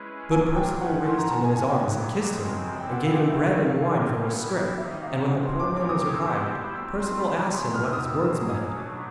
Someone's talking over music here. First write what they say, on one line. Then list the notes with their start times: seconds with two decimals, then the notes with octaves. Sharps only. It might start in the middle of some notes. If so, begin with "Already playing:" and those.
But Perceval raised him in his arms and kissed him, and gave him bread and wine from his scrip, and when the poor man was revived, Perceval asked him what his words meant.
Already playing: G#3 C#4 E4 G#4 B4
0.32 A2 F#3 A#3 D4 F4 G#5
0.56 G5
0.81 F3 A3 C#4 F#5
0.94 F#5
1.06 C6
1.18 A#5
1.30 B2 G#3 C#4 A5
1.43 G#5
1.55 G#5
1.68 G5
1.81 G2 D3 F#3 B3
2.30 F#2 C#3 F3 G#3 C4
2.79 G#3 C4 E4 A4 D5 G5
2.92 F#5
3.04 F5
3.16 F5
3.28 F3 A3 C4 E5
3.41 F5
3.54 F5
3.66 F5
3.78 B2 G3 A#3 C#4 F4 F5
4.28 G3 B3 E4
4.77 D#3 G3 A#3 D#4 E5
5.02 F5
5.27 A2 F3 G#3 F#5
5.44 C6
5.60 D6
5.77 A3 C4 F4 A#4 C#5 D6
5.89 D#6
6.01 D6
6.14 E6
6.26 G3 B3 E4 G4 C5
6.75 A3 C4 F4 E6
7.00 C6
7.26 C#3 F#3 B3 B5
7.50 C6
7.74 E2 B2 G3 F6
7.83 E6
7.93 D#6
8.02 E6
8.24 B2 F#3 A#3 C#4 E6
8.49 D#6
8.73 B2 F#3 A3 D4